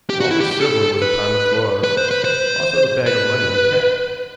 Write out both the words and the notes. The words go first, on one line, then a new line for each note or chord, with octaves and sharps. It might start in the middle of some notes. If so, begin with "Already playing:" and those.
All this silver was upon the floor, also the bag of money intact.
G4
F#4
E4
G4
G4
A4
B4
B4
C5
B4
C5
B4